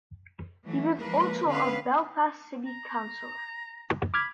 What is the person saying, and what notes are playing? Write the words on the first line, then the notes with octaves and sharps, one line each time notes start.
He was also a Belfast City Councillor.
E3 F#3 A3
F3 G#3 A#3 A#4 B4
D3 B3 C#4 B4 F5
A#5
B5 D6 F6 G#6